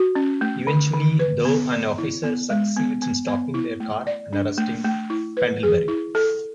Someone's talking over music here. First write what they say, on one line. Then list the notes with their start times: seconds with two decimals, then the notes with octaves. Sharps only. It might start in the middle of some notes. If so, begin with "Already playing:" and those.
Eventually, though, an officer succeeds in stopping their car and arresting Pendlebury.
Already playing: F#4
0.15 C#4
0.41 A3
0.67 D3
0.94 D3
1.19 B4
1.45 B3
1.72 D5
1.98 E4
2.24 B3
2.50 G#3
2.76 B3
3.02 B3
3.28 B3
3.54 E4
3.80 A3
4.07 D5
4.33 D4
4.58 A3
4.84 A3
5.10 E4
5.37 B4
5.63 G#4
5.88 E4
6.15 A4